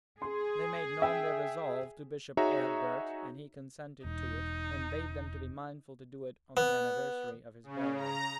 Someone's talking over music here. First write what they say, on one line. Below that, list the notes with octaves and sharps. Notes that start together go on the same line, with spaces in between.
They made known their resolve to Bishop Eadbert, and he consented to it, and bade them to be mindful to do it on the anniversary of his burial.
G#4 C6
E5 G5
D#4 F#4 G#4 C#5 E5 A#5
E1 D#4
B3
C#3
A#5